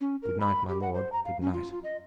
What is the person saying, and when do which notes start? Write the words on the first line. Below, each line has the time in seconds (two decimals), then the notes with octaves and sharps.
Good night, my lord, good night.
0.01 C#4
0.23 A#4
0.40 B5
0.69 G4
0.82 F#5
0.94 C5
1.12 A#5
1.25 F5
1.41 C#4
1.54 F4
1.72 F4
1.84 D#5